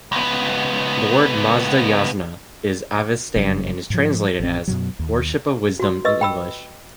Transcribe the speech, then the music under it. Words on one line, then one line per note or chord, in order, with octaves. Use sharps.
The word Mazda-Yasna is avestan and is translated as "Worship of Wisdom" in English.
C#2 B3
F#1 F#2
G#2 F3
A1 C4
F#2 B2 F#3
D#2
F#4 C6
B4 D#5 C#6 E6
G5 B5 E6